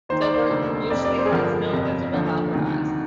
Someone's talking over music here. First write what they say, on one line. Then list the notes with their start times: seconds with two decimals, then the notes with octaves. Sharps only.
Dilbert usually has no visible mouth or eyes.
0.09 D#2 D#3 C5
0.22 D5
0.34 C5
0.50 F1 D#2 D3
0.90 F1 F2 C3 D5
1.05 D5
1.18 C5
1.26 G#4
1.31 G1 G2 D3 F3 A#4
1.72 G1 F2 C3
2.13 D#2 D3 F3
2.53 D2 C3 D#3